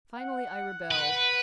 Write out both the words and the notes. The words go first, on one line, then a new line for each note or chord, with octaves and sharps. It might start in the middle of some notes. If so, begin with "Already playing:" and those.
Finally I rebelled.
F#5
B4